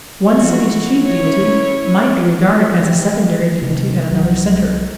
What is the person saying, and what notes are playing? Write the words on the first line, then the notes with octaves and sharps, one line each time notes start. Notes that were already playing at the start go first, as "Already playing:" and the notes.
One city's chief deity might be regarded as a secondary deity at another centre.
E3 F3 F#4
C#4 E4 C#5
A3 G4
C3 D#3 D4
C2 F#3 F#4